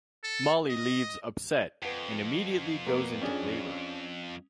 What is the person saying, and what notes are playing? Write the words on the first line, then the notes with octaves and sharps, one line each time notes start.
Mollie leaves upset, and immediately goes into labor.
A4
D#5
F2 B4 F#5
A#3 B3
C#4 D4 G#4